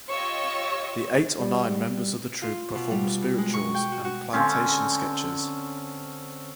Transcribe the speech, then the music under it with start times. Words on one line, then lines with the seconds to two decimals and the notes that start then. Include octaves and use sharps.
The eight or nine members of the troupe performed spirituals and plantation sketches.
0.11 F4 G4 C#5 D#5 C#6 E6
1.40 G3
2.42 F4
2.75 B2
2.91 G3
3.38 G#3
3.53 C#6
3.74 G5
3.92 F#4
4.05 F#4
4.33 D3 C4 C#4